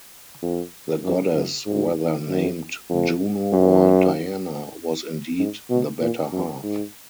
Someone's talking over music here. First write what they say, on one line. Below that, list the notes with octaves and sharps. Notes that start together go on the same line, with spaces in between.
The goddess, whether named Juno or Diana, was indeed the better half.
F2
F#2
F#2
G#2
F#2
F2
F#2
G#2
B2
A#2
F#2
G#2